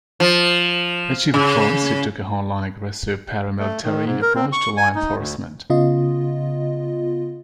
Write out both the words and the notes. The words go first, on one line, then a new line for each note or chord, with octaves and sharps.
As chief of police, he took a hardline, aggressive, paramilitary approach to law enforcement.
F3
C#3
A3
D#3
G#2
A#4
C4
C#6
G#5
D#4
D2
C#3 B3 F4 D#5